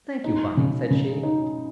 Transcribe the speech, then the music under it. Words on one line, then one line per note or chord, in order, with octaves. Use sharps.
"Thank you, Bunny," said she.
D#4
C#3
C#3
D#4